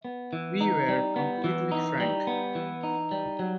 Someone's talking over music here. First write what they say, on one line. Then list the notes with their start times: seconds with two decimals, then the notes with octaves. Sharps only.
We were completely frank.
0.05 B3
0.33 E3
0.61 D#4
0.89 G3
1.16 B3
1.44 E3
1.71 D#4
2.00 G3
2.27 B3
2.55 E3
2.83 D#4
3.12 G3
3.39 F#3